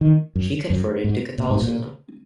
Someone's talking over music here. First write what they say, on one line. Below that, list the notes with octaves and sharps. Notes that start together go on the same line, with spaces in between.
She converted to Catholicism.
D#3
F#2
F#2
G#2
A#2
G#2
A#2